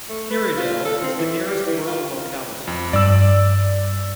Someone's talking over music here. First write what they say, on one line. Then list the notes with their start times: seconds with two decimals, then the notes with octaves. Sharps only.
Karaidel is the nearest rural locality.
0.09 A3
0.30 B4
0.57 F4
0.85 A4
1.02 C4
1.18 E3
1.47 G3
1.67 E3
1.87 F4
2.67 F2
2.93 G2 D5 E6